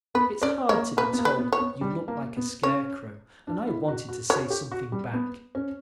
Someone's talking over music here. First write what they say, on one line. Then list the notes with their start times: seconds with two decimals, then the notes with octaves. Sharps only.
It's hard to be told you look like a scarecrow and I wanted to say something back.
0.15 B3 B4
0.42 C#4 D5
0.69 A#3 C#5
0.97 A#3 B4
1.13 B3
1.19 A#3
1.25 B4
1.38 B3
1.53 C#5
1.60 B3
1.81 G3
2.08 A#3
2.37 B3
2.63 C#4 C#5
3.47 D4
3.67 E4
3.88 F#4
4.09 F#4
4.29 F#4 C#5
4.50 G4
4.71 F#4
4.92 G3
5.13 B3
5.55 C#4